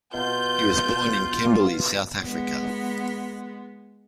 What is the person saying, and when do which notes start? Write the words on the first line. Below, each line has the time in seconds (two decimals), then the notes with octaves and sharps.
He was born in Kimberley, South Africa.
0.14 B2 F4 G6
2.24 G#3 B3